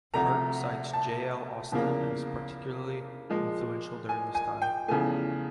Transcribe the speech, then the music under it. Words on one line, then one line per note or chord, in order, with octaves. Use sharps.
Hart cites J. L. Austin as particularly influential during this time.
D2 C3 F3 A3 A#5
A5
E2 C#3 F3 A#3
A#2 F3 G#3
G#5
G#5
G5
E2 C#3 F3 A3 G#5